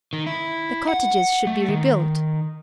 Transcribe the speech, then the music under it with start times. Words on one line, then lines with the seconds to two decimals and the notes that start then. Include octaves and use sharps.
The cottages should be rebuilt.
0.13 D#3
0.26 E4
0.88 F#5
1.47 A3
1.69 D#3